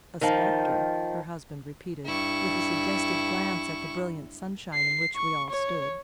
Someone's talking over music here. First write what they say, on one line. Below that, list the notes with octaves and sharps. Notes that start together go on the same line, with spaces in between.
"A specter," her husband repeated with a suggestive glance at the brilliant sunshine in which we all stood.
D#3 F3
G2 E4 C#6
C7
C#6
C#5